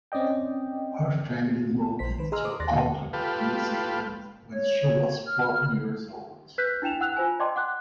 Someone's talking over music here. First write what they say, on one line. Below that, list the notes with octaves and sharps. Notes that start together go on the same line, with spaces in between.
Her family moved to Auckland, New Zealand when she was four years old.
C4 C#4 D5 D#5 G5
A#1 C5 B6
D#3 B4
G#4 D#5 A#5 C6 E6 F6
C5 D6 D#6
D#2 D5 C6 F#6 A6 A#6
B2 D3 A#3
F4 G4 A4 B4
C#5
F6
B4 F#6 G6 B6
D4 E4 G5 E7 F7
F#5 E6 F#6 F7
F4 C5 G#5
D5 D#5 G5 A5 C6 D6
F#5 D6 F#6